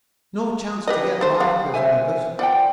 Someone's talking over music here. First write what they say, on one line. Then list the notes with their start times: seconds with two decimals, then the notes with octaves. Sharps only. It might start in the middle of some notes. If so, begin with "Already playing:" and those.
No chance to get life-preservers.
0.87 G4 B4 D#5
1.21 A3 C5
1.40 G3 F5
1.74 C5 E5 G#5
2.39 F3 D5 F#5 G5